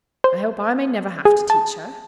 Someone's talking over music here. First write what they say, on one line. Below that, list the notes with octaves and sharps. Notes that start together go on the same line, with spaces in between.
"I hope I may never have to teach her."
C5
G#4
A5